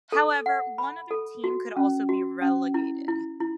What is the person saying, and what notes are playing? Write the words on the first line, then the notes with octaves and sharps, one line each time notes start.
However, one other team could also be relegated.
A4
F#5
B5
A4
F#4
C#4
F#4
C#4
E4
E4
E4